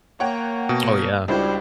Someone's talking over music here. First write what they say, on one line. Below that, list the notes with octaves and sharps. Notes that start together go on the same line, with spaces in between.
Oh, yeah.
A#3 C#5 F#5 G5
B2
C#2 G3 D4 E4 F#4 C5